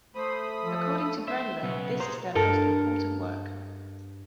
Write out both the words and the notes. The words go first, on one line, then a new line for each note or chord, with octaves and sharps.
According to Brenda, this is their most important work.
A3 C5 B5 D#6
F3 A4
C5 E5
B1 C#3 B3
G#4 C5 A#5
G2 A4 A#4